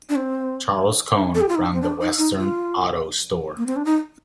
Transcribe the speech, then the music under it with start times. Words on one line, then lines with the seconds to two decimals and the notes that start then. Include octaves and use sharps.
Charles Cone ran the Western Auto Store.
0.09 D4
0.16 C4
1.35 A4
1.41 G4
1.49 F4
1.55 D#4
1.64 D4
1.73 C4
1.82 D4
2.01 D#4
2.18 D#4
2.37 F4
3.57 A#3
3.66 C4
3.76 D4
3.85 D#4